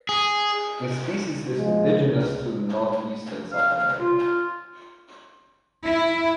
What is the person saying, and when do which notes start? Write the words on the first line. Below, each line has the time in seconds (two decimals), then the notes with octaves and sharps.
The species is indigenous to northeastern South America.
0.09 G#4
1.58 F3 G#3
2.03 C#2
3.52 F5
4.00 F4
5.85 E4